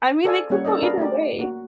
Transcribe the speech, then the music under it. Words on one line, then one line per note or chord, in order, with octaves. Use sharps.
I mean, they could go either way,
G#4 A4 C5 D5 F5 G#5
G3 A#3 C#4 C#5 F#5
C#4 E4 A4 A#4 D5 D#5
D4 G#4 A#4 B4 D5 F5
A3 F#4 G4 D5
A#3 F#4